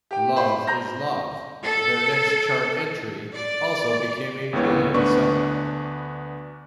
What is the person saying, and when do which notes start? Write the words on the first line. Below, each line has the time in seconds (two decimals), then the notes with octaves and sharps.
"Love is Love", their next chart entry, also became a million-seller.
0.11 G4 G5
0.36 C5 B5
0.67 A#5 G6 A#6
1.64 A4
3.33 D5
4.53 G1 C#2 E3 B3 C#5
4.94 D2 B3 D4 B4 C#6